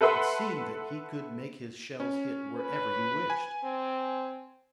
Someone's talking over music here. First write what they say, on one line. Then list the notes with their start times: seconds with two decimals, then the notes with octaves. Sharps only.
It seemed that he could make his shells hit wherever he wished.
0.01 A4 B4 E5 F#5 C6
2.00 C#4
2.56 B4
3.30 G#5
3.64 C4